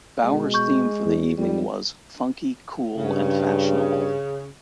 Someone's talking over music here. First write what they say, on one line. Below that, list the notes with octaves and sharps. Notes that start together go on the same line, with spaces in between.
Bowers' theme for the evening was 'funky, cool and fashionable'.
B2 G#3
C#6 G6
E2
F2 G3
G2 C#3